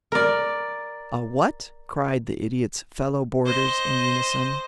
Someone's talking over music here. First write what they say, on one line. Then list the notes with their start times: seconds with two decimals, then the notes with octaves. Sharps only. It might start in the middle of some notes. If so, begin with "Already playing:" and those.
"A what?" cried the Idiot's fellow-boarders in unison.
0.12 A#4 D5
3.45 C5 D#5